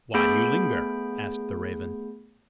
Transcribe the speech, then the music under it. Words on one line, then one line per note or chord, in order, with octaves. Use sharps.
"Why do you linger?" asked the raven.
A3 B3 G#4 B5 G6 D7